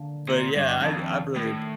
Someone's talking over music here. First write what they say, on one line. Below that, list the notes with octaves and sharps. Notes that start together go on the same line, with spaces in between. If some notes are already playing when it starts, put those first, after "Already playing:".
but, yeah, I I've really ap
Already playing: D3 A#3 D4
A#2
G2
F2 D#3 A#3 D4
A2